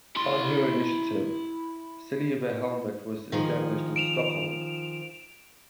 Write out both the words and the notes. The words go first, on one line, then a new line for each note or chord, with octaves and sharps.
On her initiative, Silviahemmet was established in Stockholm.
E4 C6
D#3 F3 G#4
D7 E7 F7